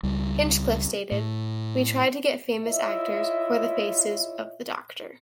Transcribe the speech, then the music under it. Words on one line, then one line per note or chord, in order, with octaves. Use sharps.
Hinchcliffe stated, We tried to get famous actors for the faces of the Doctor.
C#2 G3
A2
E4 F4 C#5 D#5 E5